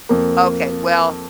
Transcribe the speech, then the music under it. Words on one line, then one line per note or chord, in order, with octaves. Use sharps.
Okay. Well,
F2 A#3